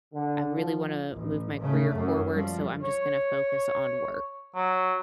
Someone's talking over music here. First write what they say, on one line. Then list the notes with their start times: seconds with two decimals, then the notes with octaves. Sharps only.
I really wanna move my career forward, so I'm just gonna focus on work,
0.14 D3
0.55 F3
1.12 A1
1.60 C#3 A3
1.95 F#2
2.33 F3 G3
2.83 C#5
4.55 F#3